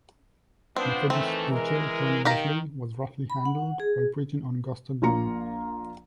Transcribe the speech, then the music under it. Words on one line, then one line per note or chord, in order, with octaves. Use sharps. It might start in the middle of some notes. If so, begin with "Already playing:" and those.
Methodist preacher John Wesley was roughly handled while preaching on Gosta Green.
F3 B3 C4 D4 C5
A2 D#3 E3 A3 C4
G#3 A#4
D#3 G4 F5 A#5
B5
F#5
G#4
A#1 A#3 F4 A#5 C#7